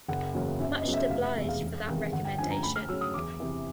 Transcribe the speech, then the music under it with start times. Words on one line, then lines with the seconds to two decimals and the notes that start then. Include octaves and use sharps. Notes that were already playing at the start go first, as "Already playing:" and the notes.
Much obliged for that recommendation.
0.08 F#1 F#5
0.34 E2 C#3 F#3 A#3
0.60 F#2 E5
0.77 D#5
0.85 C#3 F#3 B3
0.94 E5
1.10 F1 F5
1.23 E5
1.36 E2 B2 G#3 E5
1.49 F5
1.61 E1
1.88 E2 C3 D#3 G#3
2.12 G1 F#5
2.25 G5
2.38 F#2 D3 F3 G#5
2.50 A#5
2.63 D2 B5
2.76 F6
2.89 C#3 F#3 E6
3.01 D#6
3.14 E2 D6
3.40 C3 E3